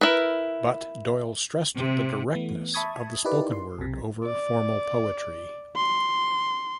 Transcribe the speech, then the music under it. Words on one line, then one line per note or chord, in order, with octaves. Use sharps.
But Doyle stressed the directness of the spoken word over formal poetry.
E4 A#4 B4
C3
E3 A3 B3
E5 A5 B5 C#6 D#6 G#6
D#4 E4 G4 A#4 B4 D5
C6
B1 C3
D5
C6